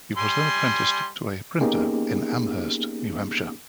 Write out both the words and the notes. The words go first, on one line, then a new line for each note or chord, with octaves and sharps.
He was then apprenticed to a printer in Amherst, New Hampshire.
G3 G#5 C6
A#3 B3 C#4 D#4 G4 G#4